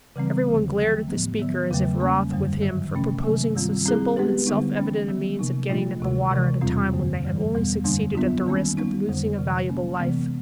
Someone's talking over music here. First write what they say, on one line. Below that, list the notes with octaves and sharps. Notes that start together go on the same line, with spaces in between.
Every one glared at the speaker as if wroth with him for proposing so simple and self-evident a means of getting at the water at a time when they had only succeeded at the risk of losing a valuable life.
C#3 E3 G3 C4
D#2 D3 F3
D#3 F#3 A3
A2 F3 G#3 B3
D#3 F#3 B3
E2 C#3 F#3 A3
G3 A#3 C#4
F#2 D3 G3
G2 D#3 F#3
C3 F3 A3 C#4
C3 D#3 F#3 A#3
G2 D#3 G3 C4 F4
G3 C4 E4 G#4
G#3 B3 D4 G4 B4
D3 G3 B3 D#4
E3 A3 C#4
D#3 F#3 B3
C3 F3 A#3 D#4
A#2 F3 A3 D4 F4
D2 C3 D#3 G#3
C3 E3 G#3
E2 B2 G3 C4 F4
F#2 D3 G3 A#3
G2 E3 G3
E2 B2 G3 B3
F#2 D3 G3 A#3 D4
F#3 B3 D4 F4
D#3 G3 A#3 C#4
G3 B3 D#4
F2 D3 G3
F2 C3 E3 G#3
F#3 A#3 C#4
C3 E3 G#3 B3